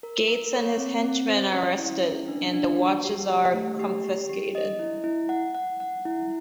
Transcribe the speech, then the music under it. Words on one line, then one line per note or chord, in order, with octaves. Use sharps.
Gates and his henchmen are arrested, and the watches are confiscated.
A#4
A#4
C#5
C4
C4
C5
C#4
E4
C#4
D4
D4
F#4
G4
G4
A3
G4
G4
G4
D#5
E4
E4
F#5
F#5
F#5
E4